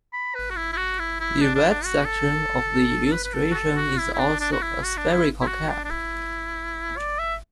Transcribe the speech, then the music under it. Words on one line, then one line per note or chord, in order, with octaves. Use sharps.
The red section of the illustration is also a spherical cap.
B5
B4
F#4
E4
E4
F#4
E4
E4
D4
D4
D4
F#4
A4
A4
B4
B4
A4
F#4
A4
F#4
E4
E4
D4
D4
F#4
E4
F#4
D4
E4
E4
F#4
D4
D4
E4
D5
E5